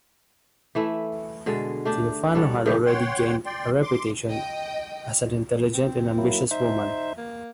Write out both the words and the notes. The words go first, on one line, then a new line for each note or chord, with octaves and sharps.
Theophano had already gained a reputation as an intelligent and ambitious woman.
E3 A3 E4
B2 D3 G#3
A3 D4 G4
G3 A4 C#5 F#5
A2 C#3 E3 G4
C#5 F#5 G5 C6
D5 G5 C6
C6 D6
D#5 G5
C4
F#3 A#3 E4
D#4 C5 E5
A#3